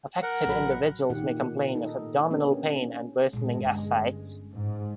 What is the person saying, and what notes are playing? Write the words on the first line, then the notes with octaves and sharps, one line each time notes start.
Affected individuals may complain of abdominal pain and worsening ascites.
A#4 F#5
A1 F#3 B5
A#2 D#3 G4 F#5
D#4 A4
A#3 B3 C#4 D4 G4
G1 A#2 G#3 E4
D3 C#4
G#2